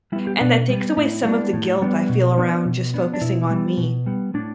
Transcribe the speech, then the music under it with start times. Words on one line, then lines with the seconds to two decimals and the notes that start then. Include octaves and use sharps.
and that takes away some of the guilt I feel around just focusing on me.
0.12 G3 E4
0.16 B3
0.27 G4
0.41 B2 D4
0.69 G3 B3
0.97 A2 E4
1.25 G3 B3 D4
1.53 A2
1.81 G3 B3 D4
2.09 B2
2.38 B3 D4
2.65 B2
2.94 B3 D4
3.14 D4
3.21 B2 E4
3.50 G3 B3
3.77 B2
4.06 G3 B3
4.34 A2 D4